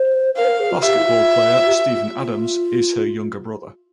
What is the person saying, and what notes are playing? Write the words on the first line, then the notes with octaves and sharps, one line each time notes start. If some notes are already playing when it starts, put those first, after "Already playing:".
Basketball player Steven Adams is her younger brother.
Already playing: C5
A#4 F5
C5
A#4
G#4
F4
G4 E5
E4
F4
G4
F4
F4